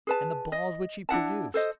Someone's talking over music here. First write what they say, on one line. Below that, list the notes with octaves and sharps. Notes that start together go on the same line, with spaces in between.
And the balls which he produced!
G#4 B4 A5
D#5
D4 E4 F#5 A5
A4 C5 D#5